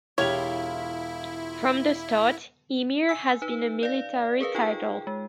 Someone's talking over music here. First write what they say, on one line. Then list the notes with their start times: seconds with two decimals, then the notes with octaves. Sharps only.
From the start, Emir has been a military title.
0.18 E1 E4 F4 G4 C#5 F7
3.09 G#5 E6
3.42 D#4 B4
3.83 D5 F5
4.41 G#4 A#4 B4 F5
4.55 D#4 F4 G#4 G5
5.07 G#3